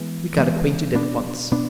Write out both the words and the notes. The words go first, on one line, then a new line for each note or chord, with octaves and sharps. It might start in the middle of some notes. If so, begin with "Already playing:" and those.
We got acquainted at once.
Already playing: E3 G#3 B3
E3 G#3 B3
B2 B3 D4
B2 B3 D4